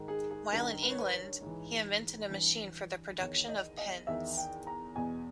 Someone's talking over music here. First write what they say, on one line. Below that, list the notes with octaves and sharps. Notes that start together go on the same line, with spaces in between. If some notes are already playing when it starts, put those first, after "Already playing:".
While in England, he invented a machine for the production of pins.
Already playing: G#2 D#3
G#4
G#4
G2 D#3 A#4
B4
C#5
B4
C#5
G#2 E3
G2 E3
E2 D#3 C#5
D#5
D#5
E2 D#3 E5
G5
A#5
E2 B2 G#5